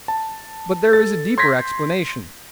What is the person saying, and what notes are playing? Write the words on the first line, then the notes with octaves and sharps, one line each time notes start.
But there is a deeper explanation.
A5
A4 A6
C6 G6 G#6 A#6 B6